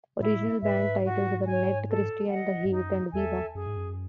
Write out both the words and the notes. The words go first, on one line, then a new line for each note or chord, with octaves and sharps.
Original band titles were "Ned Christie and The Heat" and "Viva".
A2 E4
G#2 B4 E5
F#4
C#5 G#5
A4
D#5 F#5
G#2
F#2 D#4
E2 A4 E5 G#5
F#2 G#4
G#2
F#2